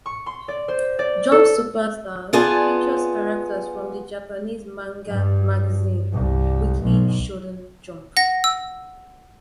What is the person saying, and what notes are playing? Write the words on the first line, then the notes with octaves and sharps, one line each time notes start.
"Jump Super Stars" features characters from the Japanese manga magazine "Weekly Shonen Jump".
C#6
C6
D5
C5
D5
A4
B3 F4 G#4 D5 G#5 A5
G2
C2
B1
F#5 A#6
E6